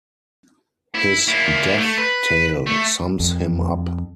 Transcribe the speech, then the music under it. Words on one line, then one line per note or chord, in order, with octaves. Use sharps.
His death-tale sums him up.
E4
A#3 E4
A3
B4
A3
F2